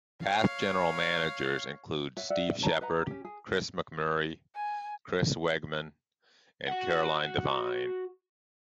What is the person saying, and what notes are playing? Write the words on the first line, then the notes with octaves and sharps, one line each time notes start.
Past General Managers include Steve Shepard, Chris McMurray, Chris Wegman, and Caroline Devine.
C#5 F5
C#5 E5 F#5
D5 E5 F#5
C#5 G5 A5 A#5
B4 D#5 F#5 A#5
C#4 G4
G#4
G#5
F#4 F#5